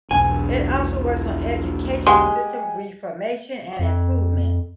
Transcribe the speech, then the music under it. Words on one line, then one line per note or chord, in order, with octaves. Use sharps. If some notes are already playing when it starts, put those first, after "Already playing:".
It also works on education system reformation and improvement.
E1 B1 G#5
G#3 G4 F#5 G#5 C6
F2